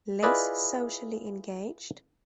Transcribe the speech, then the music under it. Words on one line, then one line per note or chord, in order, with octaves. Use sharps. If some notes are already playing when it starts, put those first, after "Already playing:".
Less Socially Engaged?
E4 F4 G#4 B4 D5 D#5